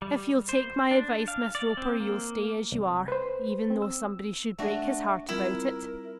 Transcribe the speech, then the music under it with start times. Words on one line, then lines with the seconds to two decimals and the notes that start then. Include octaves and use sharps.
If you'll take my advice, Miss Roper, you'll stay as you are; even though somebody should break his heart about it.
0.02 G3
0.49 C5
0.91 D4
1.28 F5
1.55 D5
1.77 C4
2.00 A#3
2.72 C2
3.08 B4 C5
3.70 C4
3.82 E6
4.58 A3 D4 F#4
5.29 G3 C4 E4 F4 A#4